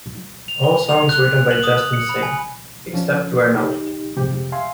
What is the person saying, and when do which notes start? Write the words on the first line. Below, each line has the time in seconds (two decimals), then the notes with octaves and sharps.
All songs written by Justin Sane, except where noted.
0.48 F7
0.64 G7
0.89 F7
1.09 F#6
1.51 F#7
1.63 D#6
1.93 C#7
2.09 B5
2.23 G#5
2.93 F3 C#4 D4
3.55 D#4 G4
4.17 F2 C3 G#3 G4
4.52 E5 F5 G#5 C6